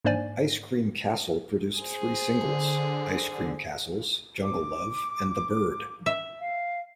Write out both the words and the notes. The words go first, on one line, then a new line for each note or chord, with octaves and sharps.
"Ice Cream Castle" produced three singles: "Ice Cream Castles", "Jungle Love", and "The Bird".
G#2 A#3 D4 C5 D5 G#5
G#4 C5
D3
D6
E5
F5